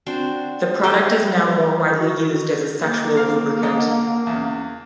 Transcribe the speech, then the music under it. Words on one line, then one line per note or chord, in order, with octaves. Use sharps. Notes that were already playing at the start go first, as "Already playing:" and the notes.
The product is now more widely used as a sexual lubricant.
C4 D4 F#4
G3 A3 D#5 G5
F#4
A#3
C4 F5
G#3 A#4 D#5
D3
E2 C#3